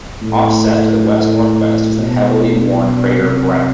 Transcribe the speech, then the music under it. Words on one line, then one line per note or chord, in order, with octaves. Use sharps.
Offset to the west-northwest is the heavily worn crater Brenner.
A2
B2
C3